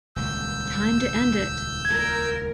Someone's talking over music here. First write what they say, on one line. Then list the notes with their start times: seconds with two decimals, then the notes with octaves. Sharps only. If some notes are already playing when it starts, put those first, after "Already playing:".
Time to end it!
0.16 D#1 C#2 E6 G6
1.85 A#2 A#4 G#6